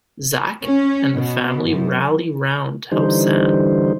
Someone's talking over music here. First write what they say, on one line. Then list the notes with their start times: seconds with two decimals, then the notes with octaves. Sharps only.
Zak and the family rally round to help Sam.
0.64 C#4
1.14 B2
1.69 F#2
2.92 D3 E3 G3 D#4 C5